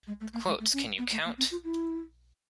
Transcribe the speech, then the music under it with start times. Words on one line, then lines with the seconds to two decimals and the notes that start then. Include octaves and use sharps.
The quotes, can you count?
0.07 G#3
0.21 A3
0.33 A#3
0.47 G#3
0.60 A3
0.73 C#4
0.98 B3
1.12 A3
1.25 A#3
1.38 C4
1.51 F4
1.64 E4